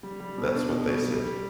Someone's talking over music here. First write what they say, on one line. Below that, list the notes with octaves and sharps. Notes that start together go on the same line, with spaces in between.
That's what they said.
G3
G3
B2
D4
B2
G3
G3
G3